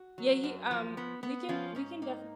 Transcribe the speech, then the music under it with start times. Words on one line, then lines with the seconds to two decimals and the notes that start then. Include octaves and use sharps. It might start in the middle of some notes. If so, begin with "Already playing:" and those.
Yeah, yi um, we can we can def
Already playing: F#4
0.18 F#3
0.43 F#2
0.71 F3
0.97 B3
1.23 B3
1.49 F3 C#4 F4
1.75 G#2 C#4
2.02 A#3 D#4